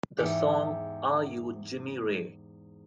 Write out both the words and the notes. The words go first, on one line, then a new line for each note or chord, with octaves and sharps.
The song Are You Jimmy Ray?
E2 G#2 G4